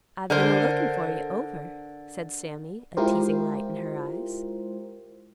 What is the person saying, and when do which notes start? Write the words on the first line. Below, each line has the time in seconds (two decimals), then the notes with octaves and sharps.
"I've been a lookin' for you over," said Sammy, a teasing light in her eyes.
0.30 D3 A#4 C5
2.97 G#3 E4 F4 G4 A#4 C5